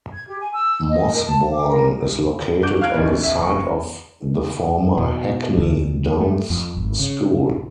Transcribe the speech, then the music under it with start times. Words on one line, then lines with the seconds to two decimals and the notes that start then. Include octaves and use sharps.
Mossbourne is located on the site of the former Hackney Downs School.
0.13 G#6
0.27 G4
0.40 G#5
0.54 E6
0.89 D#5
1.14 A#4
1.26 A5
1.53 D6
1.70 A#4
2.62 D4 F#4 D6 G6 D7
2.81 F5 F6 F#6 G#6 D7
2.94 D1 B1 D#3 E3 C#4
3.22 E1 E5
3.38 F#1 C#6
4.98 B2
5.57 D2
6.20 A3
6.50 F2
6.77 G#1
6.99 C#3